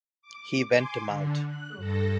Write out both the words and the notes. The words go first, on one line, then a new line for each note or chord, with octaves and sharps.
He went to Mt.
D6
G#5 C6 D6
D3
F#6
G2 A4 A#6